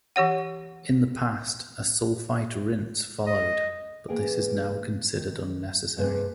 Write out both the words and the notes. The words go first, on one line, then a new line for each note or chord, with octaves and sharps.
In the past, a sulfite rinse followed, but this is now considered unnecessary.
E3 G4 C#5 F#5
D#5
E3 A#3 G#4 A#4 B4 G5
D#3
D2 G2 C3 A#3 G#4 B4